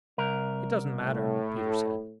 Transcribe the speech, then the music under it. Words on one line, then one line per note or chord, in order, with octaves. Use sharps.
"It doesn't matter," Peter said.
C2 A#4
A2